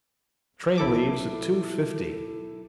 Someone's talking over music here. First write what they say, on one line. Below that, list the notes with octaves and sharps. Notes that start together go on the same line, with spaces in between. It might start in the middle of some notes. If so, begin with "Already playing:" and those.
Train leaves at two-fifty.
B1 E4 A4 D6